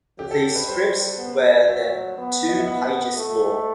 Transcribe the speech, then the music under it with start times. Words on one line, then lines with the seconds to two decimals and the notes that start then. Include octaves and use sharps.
The strips were then two pages long.
0.18 F#3 G4
0.31 A4
0.55 B4
0.68 G3 C5
1.18 B3
1.68 F#3 E5
2.18 B3
2.48 D#5
2.58 E5
2.67 B3 F#5
3.17 A3